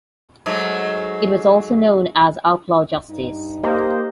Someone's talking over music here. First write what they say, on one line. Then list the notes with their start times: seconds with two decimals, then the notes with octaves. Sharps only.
It was also known as Outlaw Justice.
0.46 G#2 F#3 A3
3.09 G2 D#4
3.63 A#3 G4 C5 D#5